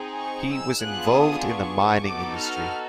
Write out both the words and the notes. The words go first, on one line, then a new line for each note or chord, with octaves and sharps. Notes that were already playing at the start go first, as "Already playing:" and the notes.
He was involved in the mining industry.
Already playing: C4 D#4 G#4
C#6
E6
B3 D4 F4 G#4 F#6
D#6
C#6
B3 D#4 F#4 A4 D6
F6